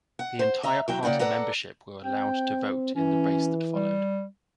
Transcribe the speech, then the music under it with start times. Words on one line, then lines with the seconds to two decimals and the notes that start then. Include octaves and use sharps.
The entire party membership were allowed to vote in the race that followed.
0.19 F#5
0.39 C5
0.63 D#5 E5 A#5
0.88 E3 F#3 G5
1.03 C#3 A#3 D5 F#5 G5
1.19 A4 B4 D5 F#5 A#5
2.04 C4 G5
2.96 E3 C#4
3.75 G3